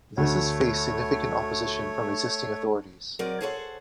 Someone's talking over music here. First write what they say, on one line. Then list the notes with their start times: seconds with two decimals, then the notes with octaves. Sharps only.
This has faced significant opposition from existing authorities.
0.17 D2 A3 C#5
3.19 F#3 C4 A#4 D5
3.41 G#4 A4 C5 C#5 F5 F#5